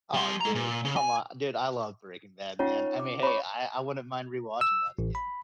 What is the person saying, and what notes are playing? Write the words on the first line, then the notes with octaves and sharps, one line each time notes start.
Oh, dude. Come on. Dude, I love Breaking Bad, man. I mean, hey. I I wouldn't mind rewatching that again.
G3 C6
G#3 A#5
A#2
C#3
G#5
C#4 D#4 F4 C#5 F#5
D6
C#5 B5 C#6
E6
A1
B5